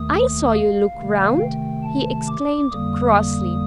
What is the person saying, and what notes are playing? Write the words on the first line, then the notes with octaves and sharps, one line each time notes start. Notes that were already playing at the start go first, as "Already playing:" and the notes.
'I saw you look round!' he exclaimed crossly.
Already playing: D#2 D#3 A3 D#6
F5
C3 D#3 A3
G5
A5
D6
F2 D3 G3 A#3 D#6
D#6